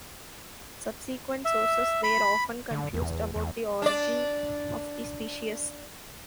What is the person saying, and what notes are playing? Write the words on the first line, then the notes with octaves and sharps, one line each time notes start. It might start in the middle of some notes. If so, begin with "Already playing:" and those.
Subsequent sources were often confused about the origin of the species.
E5
B5
D3
E2
E2
D4 D5